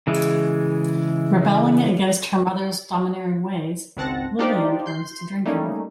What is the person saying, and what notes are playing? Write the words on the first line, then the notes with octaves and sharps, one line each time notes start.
Rebelling against her mother's domineering ways, Lillian turns to drinking.
C#3 E3 G#3
G#1 C#2 C4 F#5 A5 A#6
D4 D#4 F4 G4 C5 D5
C6 G6 C7
G3 A3 A#3 C#4 D#4